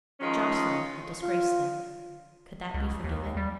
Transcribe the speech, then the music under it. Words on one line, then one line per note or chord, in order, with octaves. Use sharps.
Joscelyn had disgraced them; could that be forgiven?
D#3 F3 G#3 C#4 F4
F4
C#2
D#2
G3